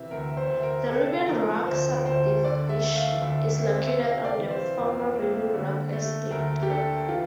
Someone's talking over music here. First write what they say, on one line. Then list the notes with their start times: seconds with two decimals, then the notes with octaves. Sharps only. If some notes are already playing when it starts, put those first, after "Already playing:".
The Riven Rock subdivision is located on the former Riven Rock Estate.
Already playing: C3 E3 E5
0.11 D2 A#4
0.37 C5
0.50 D2
0.63 A#4
0.89 C3 A4
1.28 F3 A#4
1.66 D2 C5
2.05 D2 C5
2.44 D3 D5
2.69 E5
2.83 A3
2.90 E5
2.96 F5
3.21 D2 E5
3.48 E5
3.60 C4
3.74 E5
3.99 C3 F5
4.25 D5
4.38 E3
4.50 C5
4.77 F2
5.15 A#3
5.54 D3
5.92 A3
6.31 D2 A#4
6.63 G4
6.70 D4 A4
7.08 E3 F4